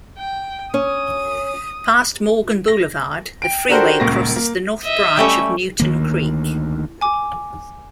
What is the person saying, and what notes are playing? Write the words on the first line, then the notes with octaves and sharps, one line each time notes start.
Past Morgan Boulevard, the freeway crosses the North Branch of Newton Creek.
G5
C#4 D#6
A#6
G5 D7
D4 F#4 G4 A4 A#4 C5
D#1 C#2 A#3 C#6 A#6
A#3
D#5 E5
G3 A3 C#4
D2 D#3 A#3
G#5 D6